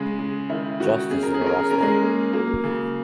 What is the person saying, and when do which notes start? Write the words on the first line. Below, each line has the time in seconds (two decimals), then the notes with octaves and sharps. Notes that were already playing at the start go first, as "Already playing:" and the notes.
Justus is a wrestler.
Already playing: C#3 G#3 C#4
0.19 G#3
0.49 D#3 E4
0.80 D#3 F#4
1.11 C#4 G#4
1.23 A#4
1.34 G#4
1.41 C#4
1.46 A#4
1.59 G#4
1.70 C#4 A#4
1.82 G#3 G#4
2.02 A#3
2.33 F#3 A#3 A#4
2.64 C#3